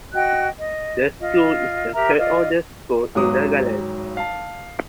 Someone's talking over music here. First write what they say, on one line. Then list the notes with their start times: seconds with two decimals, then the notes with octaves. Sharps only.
The school is the third oldest school in Nagaland.
0.13 F#4 D#5 G5 F#6
0.58 D#5
1.19 F4 D#5
1.94 G4 A#4 E5 A#5
2.18 F4 D5 D#5
3.15 G#1 G#2 F#3 D6 D#6
4.17 F5 A5